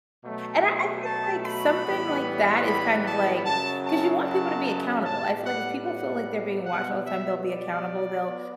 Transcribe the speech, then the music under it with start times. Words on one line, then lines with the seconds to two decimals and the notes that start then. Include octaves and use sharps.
and I I think, like, something like that is kind of, like 'cause you want people to be accountable. I feel like if people feel like they're being watched all the time, they'll be accountable, they'll
0.24 B2 F#3 A3
1.05 A5
1.44 B5
1.84 A2 E3 G3 B3
2.64 B5
3.05 A5
3.45 F#2 C#3 F#3 A5
3.85 A5
4.25 A5
5.05 A2 G3 B3 A5
5.45 F#5
5.86 F#5
6.65 B2 G3 B3 F#5
7.06 E5
7.45 D5
8.26 B3